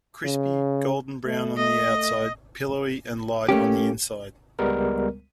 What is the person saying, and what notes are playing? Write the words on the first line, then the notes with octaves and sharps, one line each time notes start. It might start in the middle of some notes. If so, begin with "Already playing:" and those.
Crispy, golden brown on the outside, pillowy and light on the inside.
C#3
A3
A3 D#5
A3
A3 A#3 C#4 G4
C#2 G3 G#3 B3 A#4